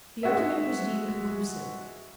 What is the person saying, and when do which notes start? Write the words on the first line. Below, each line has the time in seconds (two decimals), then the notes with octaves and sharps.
The argument was deemed conclusive.
0.23 G#3 F#4 E5